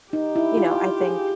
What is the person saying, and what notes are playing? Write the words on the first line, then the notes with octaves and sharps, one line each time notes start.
you know, I think
D#4 G4
E4
F4
G#4